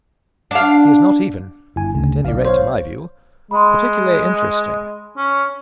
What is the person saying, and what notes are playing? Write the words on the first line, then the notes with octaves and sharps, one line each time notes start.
He is not even, at any rate to my view, particularly interesting.
D4 F5
G1 E4 G#5
D2 C#3
B1 D5 F5
C5 C#5 F5
G#3 B5 C6
C#4